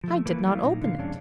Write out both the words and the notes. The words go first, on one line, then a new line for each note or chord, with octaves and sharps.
I did not open it.
F3 A3
E3 A3 A#3 B4
F#3 A3 E4 F5
A#2 D#4
D3 F5
F2 C3 G#3 C#4 D4